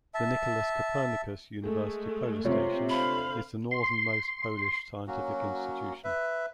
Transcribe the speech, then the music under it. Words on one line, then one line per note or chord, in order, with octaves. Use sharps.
The Nicolaus Copernicus University Polar Station is the northernmost Polish scientific institution.
E5 A5
G#3 A3 G#4
C3 F4 C#5
D3 C5 F5 B5
C6
F#3 A#3 C#4 F#4
B4 E5